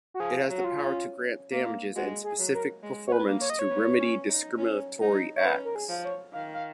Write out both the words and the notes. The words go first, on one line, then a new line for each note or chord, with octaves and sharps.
It has the power to grant damages and specific performance to remedy discriminatory acts.
F#4
F3 G#4
F#3
F#4
F4
C#4
A#3
G#3 F#4
G#4
F#3
A#4
G#3
C#5
B4
A#3
C#5
D#5
C#5
B3
C#4
D#4
C#4
D#4
C#5
C#4 B4
A#4
G#4
F3
C#5
D#3 F5
F5